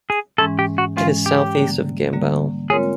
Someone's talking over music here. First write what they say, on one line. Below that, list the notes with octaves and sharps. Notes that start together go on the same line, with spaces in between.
It is southeast of Gambell.
G#4
G#2 E3 G#3 C#4 A4
G4
F#4
G#2 E3 G#3 C#4 F4
G4
D3 G3 A#3
D3 G3 A#3
G#3 C4 F4 G#4 A#4 C#5